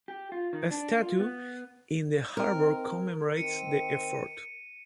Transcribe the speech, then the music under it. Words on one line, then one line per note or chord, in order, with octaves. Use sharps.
A statue in the harbour commemorates the effort.
G4
F4
D#3
D4
F4
B3
C4 D#4 A#4
D#3 C4 C#7 D#7